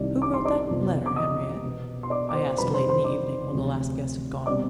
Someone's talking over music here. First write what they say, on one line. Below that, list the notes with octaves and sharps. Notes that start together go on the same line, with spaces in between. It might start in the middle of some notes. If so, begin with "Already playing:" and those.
"Who wrote that letter, Henriette?" I asked late in the evening when the last guest had gone.
Already playing: C2 C3 D#3 G3 C4 D5
D6
C6
D5 D6
F2 C3 F3 B3
D6
D#5 D#6
B2 B3
C6
D5 D6
D6
C5 C6
F2 C3 D#3 G3 B4 B5
C5 C6
C5 C6
D5 D6
D2 C3 F3 C4
B2 G3 C4 D5 D6